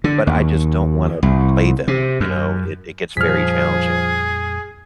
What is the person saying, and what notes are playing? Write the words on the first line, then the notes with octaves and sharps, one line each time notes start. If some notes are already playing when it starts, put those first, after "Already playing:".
but I just don't wanna play them, you know? It it gets very challenging.
D3
D#2
C2
C3
F#2
F2 A#2 F3 G3 G#4 F6 B6